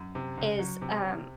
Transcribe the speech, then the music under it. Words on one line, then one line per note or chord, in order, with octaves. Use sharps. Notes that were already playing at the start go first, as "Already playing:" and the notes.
is, um,
Already playing: F#2
C3
C#2
F#3
C3
C3